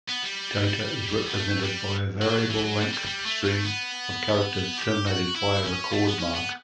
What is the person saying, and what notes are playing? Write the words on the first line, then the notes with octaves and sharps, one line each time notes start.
Data is represented by a variable-length string of characters terminated by a Record mark.
B3
G3
B3
A3
G3
F#3
E3
F#3
G3
G3
G3
A3
A3
B3
G4
F#4
E4
C#4
A3
B3
C#4
B3